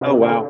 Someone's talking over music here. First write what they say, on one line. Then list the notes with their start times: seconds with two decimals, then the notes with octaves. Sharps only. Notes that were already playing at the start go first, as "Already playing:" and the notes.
oh, wow.
0.01 C3
0.21 D3